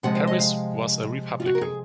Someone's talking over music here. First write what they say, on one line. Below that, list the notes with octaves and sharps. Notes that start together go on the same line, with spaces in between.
Harris was a Republican.
C3 F3 G#3 F#5
F5
D#5
F5
F4
F#4
A#4
G#4